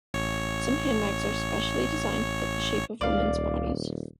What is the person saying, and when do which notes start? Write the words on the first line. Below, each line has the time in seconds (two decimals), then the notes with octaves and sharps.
Some handbags are specially designed to fit the shape of women’s bodies.
0.14 A1 C#5
3.01 D#1 C#2 D5 F5